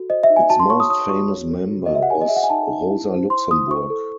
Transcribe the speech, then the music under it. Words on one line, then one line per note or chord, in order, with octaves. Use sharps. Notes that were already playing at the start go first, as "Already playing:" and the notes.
Its most famous member was Rosa Luxemburg.
Already playing: F#4 A4
C5 D#5
E5
D#4
G#5
F#4 A5
C6
C#5 C#6
D#6
C#5 D#6
F#4 C#6
C#5
A4
F#4
D#5
F#4 E5
F#5
C#5 G#5
D#5
G#4 E5
F#5
G#5
D#4 A5
D#4
E4
C5
C5 C6
E4 D#6
C5 C#6
A4